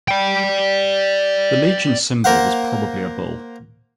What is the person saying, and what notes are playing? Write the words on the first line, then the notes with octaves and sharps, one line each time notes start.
The legion's symbol was probably a bull.
D5 G5
A#3 A#4 C5 F5 F#5